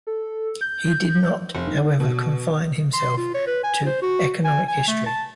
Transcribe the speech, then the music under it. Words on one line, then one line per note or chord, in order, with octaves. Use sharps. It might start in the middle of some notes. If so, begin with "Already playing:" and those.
He did not, however, confine himself to economic history.
A4
G6
F1
D#3
B2
C6
F4
C#5
B4
G#5
C5
F#4
G#5
G#5
A3
A5